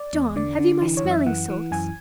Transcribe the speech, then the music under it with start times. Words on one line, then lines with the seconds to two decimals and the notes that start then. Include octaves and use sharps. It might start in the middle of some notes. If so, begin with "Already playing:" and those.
John, have you my smelling salts?
Already playing: D5
0.13 E2
0.36 D3 D5
0.59 D3
0.82 E3
0.97 C#5
1.05 F#2
1.11 E5
1.26 E3 F#5
1.50 E3
1.71 F#2 G#5